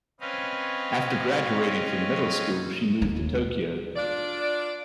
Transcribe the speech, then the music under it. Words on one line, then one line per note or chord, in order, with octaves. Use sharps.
After graduating from middle school, she moved to Tokyo.
C4 C#4 B4 C#5 D#5 F5
D#2
D4 F4 D5